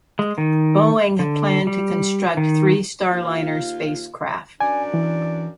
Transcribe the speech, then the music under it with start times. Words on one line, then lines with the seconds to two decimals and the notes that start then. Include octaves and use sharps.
Boeing planned to construct three Starliner spacecraft.
0.19 G#3
0.38 D#3
1.19 D3
1.67 G3
2.37 D#3
3.11 D#2 F4
4.61 F#2 D4 D5 G#5
4.94 E3